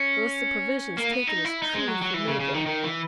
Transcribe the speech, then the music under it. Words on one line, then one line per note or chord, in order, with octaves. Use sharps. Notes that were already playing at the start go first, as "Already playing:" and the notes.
The list of provisions taken is truly formidable.
Already playing: C#4
A#3
B3
D#4
E4
D#4
G#3
F#3
F#3
E3
C#3
C#3
D#3
D#3
E3